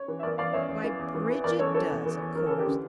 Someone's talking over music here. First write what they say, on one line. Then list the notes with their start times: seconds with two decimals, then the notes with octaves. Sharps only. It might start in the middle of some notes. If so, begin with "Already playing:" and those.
"Why, Bridget does, of course."
Already playing: C#5
0.08 E3
0.19 E5
0.23 E2 A#4 D5
0.38 E2 D5 F5
0.53 E2 C#5 E5
0.69 E2
0.84 E3
0.99 E2
1.15 E3
1.30 E3
1.44 E2 A#4 D5
1.59 E3 A4 C#5
1.74 E3 A4 C#5
1.90 E2
2.06 E3
2.21 E2
2.35 E3 A#4
2.47 E3 A4
2.58 G4 A#4
2.67 D3